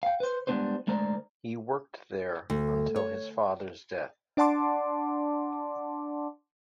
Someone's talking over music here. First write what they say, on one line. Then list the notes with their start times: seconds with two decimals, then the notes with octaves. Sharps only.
He worked there until his father's death.
0.03 F5 G5
0.20 B4 C5
0.47 G3 G#3 B3 D4 B4 C5
0.87 D3 G#3 A3 A#4 C5 D5
2.50 D2
2.96 C#5
4.37 D4 D5 F#5 A5 C6 D6